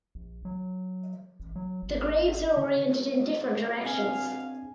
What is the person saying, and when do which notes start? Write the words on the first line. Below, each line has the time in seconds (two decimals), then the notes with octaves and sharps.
The graves are oriented in different directions.
0.15 A#1
0.45 F#3
1.40 A1
1.56 F#3
1.82 G#1
2.57 D3
3.85 B2 C4 D4 G#4 F5 G#5